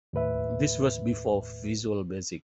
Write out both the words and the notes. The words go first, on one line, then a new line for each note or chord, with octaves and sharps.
This was before Visual Basic.
D#2 A2 B4 E5